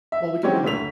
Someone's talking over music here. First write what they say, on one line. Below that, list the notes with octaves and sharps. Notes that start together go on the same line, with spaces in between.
Well, we can do, like,
E5
F#3 G#3 C4 C#4 G4 C#5
F#1 D2 A3 B6 F7